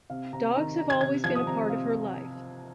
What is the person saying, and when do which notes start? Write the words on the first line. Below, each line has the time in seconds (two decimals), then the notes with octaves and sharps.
Dogs have always been a part of her life.
0.10 C3 F5
0.33 C3 A#5
0.56 D#3 A#5
0.78 D#3 A#5
0.90 G#6
1.01 C3 G#6
1.24 F3 G#6
1.35 D#6
1.47 C3 A#5
1.69 C3 F5